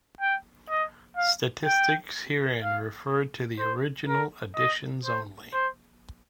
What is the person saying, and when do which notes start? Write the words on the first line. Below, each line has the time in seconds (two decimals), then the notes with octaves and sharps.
Statistics herein refer to the original editions only.
0.21 G5
0.70 D#5
1.17 F5
1.65 G5
2.63 F5
3.59 C5
4.08 A#4
4.56 D#5
5.05 C5
5.53 C5